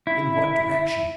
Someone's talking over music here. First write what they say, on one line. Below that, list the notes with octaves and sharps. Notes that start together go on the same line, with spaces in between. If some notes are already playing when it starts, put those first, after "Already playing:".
"In what direction?"
E4